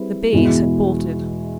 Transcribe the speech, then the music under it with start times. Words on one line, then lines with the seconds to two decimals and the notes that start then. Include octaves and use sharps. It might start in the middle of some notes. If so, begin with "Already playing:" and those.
The bays had bolted.
Already playing: G3 C4 E4 G#4 B4
0.33 E2 B2 G#3 B3 E4